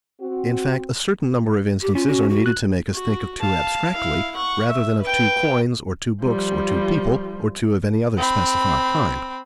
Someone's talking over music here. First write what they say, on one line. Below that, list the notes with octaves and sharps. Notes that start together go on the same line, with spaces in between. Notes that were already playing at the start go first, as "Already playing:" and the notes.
In fact, a certain number of instances are needed to make us think of two abstractly, rather than of two coins or two books or two people, or two of any other specified kind.
C4 F#4
G4
C#4 F4
F#4
F#4
F#6
F#4
F5 A5
E4 F5
F#5 C#6
E5
B4 G5
F3 G3
C4 B5